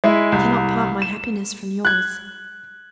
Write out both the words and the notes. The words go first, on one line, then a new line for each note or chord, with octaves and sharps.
I cannot part my happiness from yours.
G#3 E4 E5
C2
E7
F#6 G#6